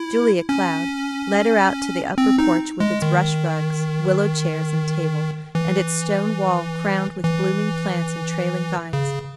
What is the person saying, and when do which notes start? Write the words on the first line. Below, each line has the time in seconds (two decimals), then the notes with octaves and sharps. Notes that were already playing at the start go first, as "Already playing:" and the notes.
Julia Cloud led her out to the upper porch with its rush rugs, willow chairs, and table, and its stone wall crowned with blooming plants and trailing vines.
Already playing: E4
0.49 C#4
2.18 C4
2.38 D#4
2.80 G#3
3.02 D#3
5.55 E3
7.24 E3
8.93 C#3